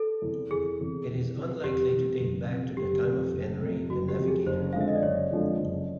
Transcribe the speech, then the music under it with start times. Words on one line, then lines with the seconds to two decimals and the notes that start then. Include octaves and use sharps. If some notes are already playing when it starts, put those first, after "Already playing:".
It is unlikely to date back to the time of Henry the Navigator.
Already playing: A4
0.22 E2 C3 E3
0.50 F1 G#4
0.79 E2 C3 E3
1.07 F1
1.36 E2 C3 E3
1.63 F1 G4
1.92 E2 C3 E3
2.20 F#1
2.49 F2 C3
2.77 F#1 G4
3.05 F2 C3
3.33 F#1
3.61 F2 C3
3.90 F#1 F#4
4.09 G4
4.18 F2 C3
4.28 G#4
4.46 F#1 C5
4.73 F2 D3 F3 G#3 F5
4.81 E5
4.88 D#5
4.95 D5
5.03 F#1 C#5
5.31 F2 D3 F3 G#3
5.60 F#1